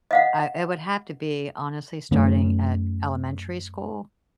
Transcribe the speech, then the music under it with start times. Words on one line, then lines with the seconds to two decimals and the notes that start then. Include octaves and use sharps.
I it would have to be honestly starting at elementary school
0.11 D#5 F5 F#5
2.11 F#2 A3 C#4